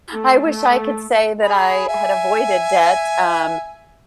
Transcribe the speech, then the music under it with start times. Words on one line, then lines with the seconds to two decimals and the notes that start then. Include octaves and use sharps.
I wish I could say that I had avoided debt, um,
0.12 A3
0.49 A3
1.44 G#4 B5
1.88 E5 G#5